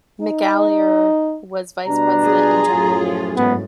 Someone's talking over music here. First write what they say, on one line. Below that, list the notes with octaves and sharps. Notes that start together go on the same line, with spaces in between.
McAleer was vice president and general manager.
D#4
B2 G3 D4 A#5
F4 G#4
F#2 A2
G#2 B3